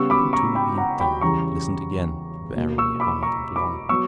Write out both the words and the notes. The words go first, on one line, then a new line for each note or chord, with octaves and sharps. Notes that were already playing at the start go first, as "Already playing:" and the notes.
Too-Too leaned down and listened again very hard and long.
Already playing: C#3 G3 B3 C#6 E6
B5 D6
A#5 C#6
G5 B5
F#5 A#5
G5 B5
E2 C#3 E3 G3 A#5 C#6
B2 A#3
C#6 E6
B5 D6
A#5 C#6
B5 D6
F#3 B3 C#6 E6